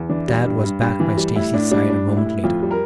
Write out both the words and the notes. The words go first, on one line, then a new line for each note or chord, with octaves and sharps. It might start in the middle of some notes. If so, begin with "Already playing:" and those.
Tad was back by Stacy's side a moment later.
Already playing: E2
E3 D4
G3
G2
G2
G2
E3
G3
A2 E4
A2 D4
G3 D4
G3 D4
A2
E4
A2
F2 F4
G3
A#4